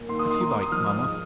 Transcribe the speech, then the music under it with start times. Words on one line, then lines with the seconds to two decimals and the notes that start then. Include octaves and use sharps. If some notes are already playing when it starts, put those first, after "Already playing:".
"If you like, mama."
Already playing: A#2
0.09 D#2 C6
0.19 D#6
0.25 D#3
0.30 C6
0.40 D#2 A#5
0.51 D#6
0.56 D#2
0.62 D#6
0.72 F3 F6
0.87 G#2 D#6
1.03 G#3